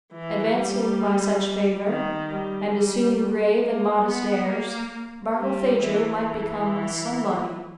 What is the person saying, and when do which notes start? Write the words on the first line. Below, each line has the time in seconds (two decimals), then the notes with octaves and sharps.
Advancing by such favour, and assuming grave and modest airs, Barkilphedro might become a somebody.
0.13 E3
0.56 G3
1.87 D#3
2.31 G3
2.74 G3
3.62 A#3
4.06 B3
4.48 A#3
5.37 G3
5.80 E3
6.23 E3